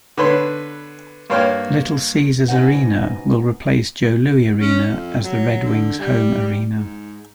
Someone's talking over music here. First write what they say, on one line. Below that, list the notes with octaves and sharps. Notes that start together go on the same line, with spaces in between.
Little Caesars Arena will replace Joe Louis Arena as the Red Wings home arena.
D3 B3 B4 C#5 B5 C6
G2 A#3 C#5 G5 F6
B2 C#4 D#4 B4 C5 F#5
C#4
F2
F#3
D3
G3
G#2